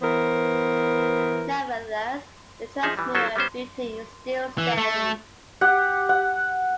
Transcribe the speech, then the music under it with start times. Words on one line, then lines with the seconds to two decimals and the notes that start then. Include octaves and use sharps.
Nevertheless, the transmitter building is still standing.
0.02 E3 B3 A#4 C5
2.83 F3 D#4 G#4 E5
2.97 E3 G3
3.14 G1 F#3 C#4 A4 C5
3.36 G3 B3 C#4 C5
4.58 E3
4.78 A3
5.61 G4 F#5
6.09 F#5